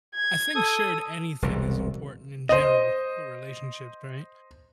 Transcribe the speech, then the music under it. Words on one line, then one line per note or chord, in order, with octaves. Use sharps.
I think shared anything is important in general for relationships, right?
G#6
A4 D#6
E1 C2
C5 D#5